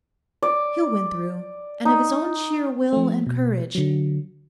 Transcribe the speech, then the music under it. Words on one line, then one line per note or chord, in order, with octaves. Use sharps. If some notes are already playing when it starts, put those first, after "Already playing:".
He'll win through; and of his own sheer will and courage.
D5
D#4
F3 A3
B2
D3 F#3